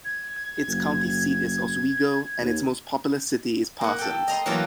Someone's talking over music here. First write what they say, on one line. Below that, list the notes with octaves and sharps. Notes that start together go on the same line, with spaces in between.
Its county seat is Oswego, and its most populous city is Parsons.
G#6
F#1
D#2
A#3 F#5
A4 G5
D#5 A#5 C6
E3 F#3 A3 A#3 F4